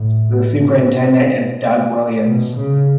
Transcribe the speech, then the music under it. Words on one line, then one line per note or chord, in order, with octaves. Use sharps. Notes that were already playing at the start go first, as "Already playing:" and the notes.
The Superintendent is Doug Williams.
Already playing: A2
B2
B2
C#3